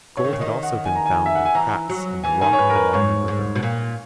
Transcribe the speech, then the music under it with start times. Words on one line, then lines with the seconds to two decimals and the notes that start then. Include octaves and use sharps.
Gold had also been found in cracks in the rock along the river.
0.17 E3 C#5
0.24 D#3
0.33 C#3
0.40 D#3 D#5
0.63 F#5
0.85 G#5
0.96 A#5
1.06 G#5
1.26 E5
1.35 F#5
1.45 G#5
1.55 E3 A#5
1.89 F#3
2.24 E3 G#5
2.41 D#3 G#5
2.53 C#5
2.59 G#2 B4
2.70 A#4
2.76 B4
2.93 G#2 C#5
3.28 G#2
3.55 B2
3.63 A#2